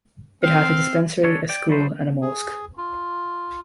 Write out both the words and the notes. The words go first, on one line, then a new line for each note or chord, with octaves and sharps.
It has a dispensary, a school and a mosque.
C4 F5
D3 C#4 D4 A4 C#5
D5 G5
F#3 G3 A3 D#4 B4 C5
G#4
F4